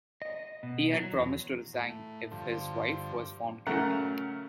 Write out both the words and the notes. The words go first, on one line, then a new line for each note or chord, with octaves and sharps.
He had promised to resign if his wife was found guilty.
D#5
B2
F#3
E2
A2
G2 D3 F3
C#3 F#3 A3 A#4 F#5